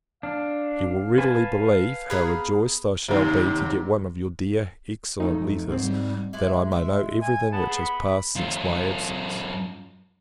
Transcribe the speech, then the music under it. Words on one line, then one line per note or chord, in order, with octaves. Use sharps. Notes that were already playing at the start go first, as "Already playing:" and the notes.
You will readily believe, how rejoiced I shall be to get one of your dear, excellent letters, that I may know every thing which has passed since my absence.
D4 F5
B4 G#5 A5
B3 G#4 A#5
D#2 C3
F2 A3 D#4
G#2 C4
G3
G#3 E4 G#4 D5
E5
G#5
B3 A5
G#4
B5
F#2 F4